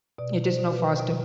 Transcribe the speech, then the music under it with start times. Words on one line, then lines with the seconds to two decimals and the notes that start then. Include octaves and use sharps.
It is now faster.
0.18 B2 D5
0.45 C5
0.58 B2
0.72 B4
0.99 B2